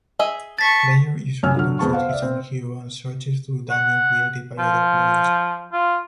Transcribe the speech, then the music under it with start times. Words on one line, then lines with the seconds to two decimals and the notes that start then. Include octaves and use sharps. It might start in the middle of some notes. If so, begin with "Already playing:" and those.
Player usually controls his own hero and searches through dungeon created by other players.
0.19 G#4 D#5 E5
0.59 A5 C#6 A6 B6
1.43 F#2 C#5 G#5 E6 F6
1.55 D3 F#3 F6
1.79 F2 B3 G#4 A5 C#6
1.93 C5 F5 F#5
2.09 D5 E5
2.22 C4
3.70 F#5
4.59 F3
5.73 F4